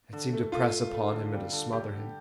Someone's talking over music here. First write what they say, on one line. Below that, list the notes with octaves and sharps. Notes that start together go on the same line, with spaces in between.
It seemed to press upon him and to smother him.
D3
A3
A3 F4
A3
A3
D3
G3
D3
G3 G4
D3